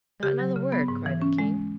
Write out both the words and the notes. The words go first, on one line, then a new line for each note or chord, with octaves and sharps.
"Not another word!" cried the king.
C#3 G4
F#3
C#3
B3
G#2
E3
C#4
G#3